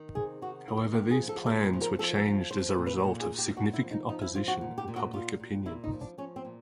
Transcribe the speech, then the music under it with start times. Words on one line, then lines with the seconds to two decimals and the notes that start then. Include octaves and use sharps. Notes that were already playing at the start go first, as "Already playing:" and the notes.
However, these plans were changed as a result of significant opposition and public opinion.
Already playing: D#3
0.15 C3 G#4
0.42 D#3 F#4
0.68 D#3 F4
0.93 A#2 G4
1.11 G#4
1.20 F3
1.29 A4
1.46 A#2 A4
1.64 A#4
1.73 F3
1.82 A#4
1.99 F3 A4
2.16 A4
2.26 F3
2.51 F3 C5
2.69 B4
2.78 A#2
2.87 B4
3.04 A#2 A#4
3.21 G#4
3.30 A#2
3.38 G4
3.56 A#2 F#4
3.74 E4
3.82 F3
3.91 D#4
4.09 F3 D#4
4.21 E4
4.35 F3 F4
4.48 F#4
4.61 A#2
4.78 G4
4.88 A#2
4.96 F#4
5.13 A#2 F4
5.40 A#2
5.66 A#2 E4
5.84 D#4
5.91 F3
6.01 D4
6.18 F3 C#4
6.36 C4
6.45 A#2